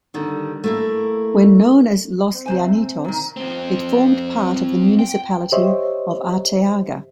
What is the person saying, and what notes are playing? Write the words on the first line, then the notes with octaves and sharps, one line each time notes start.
When known as Los Llanitos, it formed part of the municipality of Arteaga.
D3 D#3 G3
A3 A#3 E4
C4
C3 C5 G#5
A#2 D#3
F2 C4
G5
G4 C5 C#5 D#5 E5